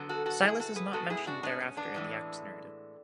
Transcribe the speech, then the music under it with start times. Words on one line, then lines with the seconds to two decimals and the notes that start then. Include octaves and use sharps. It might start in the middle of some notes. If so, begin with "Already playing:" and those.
Silas is not mentioned thereafter in the Acts narrative.
Already playing: D3 F#3 B3
0.09 F#4 A4
0.26 F#4 A4
0.42 E4 G#4
0.60 F#4 A4
0.76 G#4 B4
0.93 B2 G#3 B3 F#4 A4
1.10 E4 G#4
1.27 D4 F#4
1.43 B3 D4
1.60 C#4
1.77 B3 D4
1.94 A2 E3 G#3